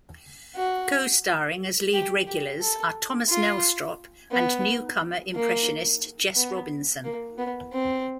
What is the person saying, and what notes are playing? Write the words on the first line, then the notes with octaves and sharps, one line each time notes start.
Co-starring as lead regulars are Thomas Nelstrop and newcomer impressionist Jess Robinson.
F#4
G4
G4
A4
F4
B3
A#3
B3
A#3
B3
C4